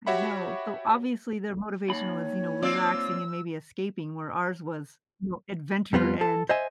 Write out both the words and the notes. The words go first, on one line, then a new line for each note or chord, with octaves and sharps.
I know. So, obviously, their motivation was, you know, relaxing and maybe escaping; where ours was, you know, adventure and,
F#4 G4 C#5 E5 F#5 B5
D#2 C#5 B5
C4 F4 D5 E6
F2 G3 B3 F4
A4
C5 D#5 E5 G#5